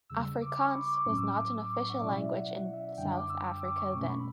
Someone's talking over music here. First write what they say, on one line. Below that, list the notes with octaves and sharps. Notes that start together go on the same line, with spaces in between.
Afrikaans was not an official language in South Africa then.
E2 C#3 G3 E6
E6
D6
B5
C#6
D6
D6
C#6
A2 F#3 C#4 D6
E6
D6
D6
E6
D6
C#6
D6
F#5
B2 F#3 C#4 E4 D5
E5
F#5
F#5
E5
F#2 D3 G3 D4 G5
D6
E6
E6
D6
C#6
B2 A3 C#4 C#6
B5